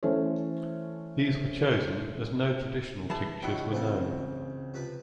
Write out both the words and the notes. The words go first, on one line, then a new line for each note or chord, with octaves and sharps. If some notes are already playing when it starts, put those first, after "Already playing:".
These were chosen as no traditional tinctures were known.
E3 A3 C#4 A4 C5
E3 G#4 A5
C#2 F3 D#4 E4 F#4
A1 C#3 C4 F4 F#5
C3 F3 B4